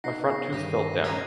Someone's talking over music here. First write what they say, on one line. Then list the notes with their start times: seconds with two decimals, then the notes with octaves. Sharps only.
My front tooth felt down.
0.04 D#4 F#5 A#6 C7
0.24 B3 G#4
0.53 G2 D#3 G4 A#6 D#7
1.04 C#4 G4 A#4 C5 A#5 D#6 G#6